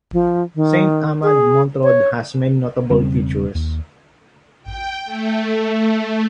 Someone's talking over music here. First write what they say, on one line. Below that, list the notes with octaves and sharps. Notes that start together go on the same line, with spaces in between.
Saint-Amand-Montrond has many notable features.
F3
D#3
G#4
C#5
E1 C#3 G3 C4
D#2
G5
A3